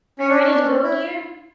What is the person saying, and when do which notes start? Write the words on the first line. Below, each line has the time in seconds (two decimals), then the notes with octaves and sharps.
Are you ready to go, dear?
0.19 C#4
0.29 D4
0.40 C#4
0.49 D4
0.60 C#4
0.83 E4